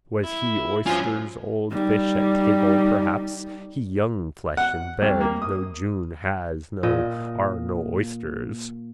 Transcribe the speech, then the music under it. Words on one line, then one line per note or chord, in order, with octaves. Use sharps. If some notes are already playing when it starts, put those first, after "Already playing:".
Was he oysters old fish at table perhaps he young flesh in bed no June has no ar no oysters.
E4
G2 F#3 F4 C5 G#5
G3 D#4
F#5
C2
A#3
D#6
A#2 D#5